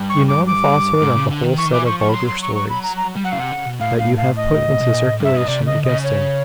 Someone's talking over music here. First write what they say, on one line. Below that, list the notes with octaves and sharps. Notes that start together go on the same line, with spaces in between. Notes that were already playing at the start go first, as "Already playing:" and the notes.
You know the falsehood of the whole set of vulgar stories that you have put into circulation against him.
Already playing: G2
C#6
D6
D6
G#2
C#3
D3
D#3
E3 C#6
D#3
E3 D6
F3 C#6
C#6
B5
F#3 C6
C6
C#6
C#6
B5
A#5
A#5
G3
F#3 F#5
C#3 F5
C3 F#5
C#3
B2
A2 F5
F5
F5
D#5
B2
A#2
A2
G2 E5
G2 D#5
C3 D5
C#3 D#5
D3
C3 D#5
C#3
C#5